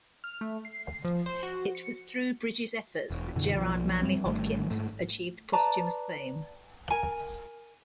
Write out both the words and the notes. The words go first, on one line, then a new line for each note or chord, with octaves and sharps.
It was through Bridges' efforts that Gerard Manley Hopkins achieved posthumous fame.
F6
A3
C7
F3
C5
F#4
C#7
E1
F#2 B2 D3 E3
B1 F3
G2 G3 C4
G#1 D#3 G3 A3
G#2 A3
B4 D5 A5 A#5
A#4 G#5